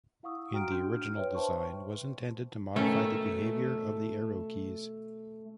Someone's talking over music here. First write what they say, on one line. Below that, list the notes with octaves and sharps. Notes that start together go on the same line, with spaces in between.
In the original design, was intended to modify the behavior of the arrow keys.
E4 F5 F#5 C#6 D#6 E6
F#4 G5 A#5 F6 D7
D4 F#4 C6 G6
F6
B4 C#5 E5 G5
C5 G5 A5 C6 C#6
B2 D#3 A3 C#4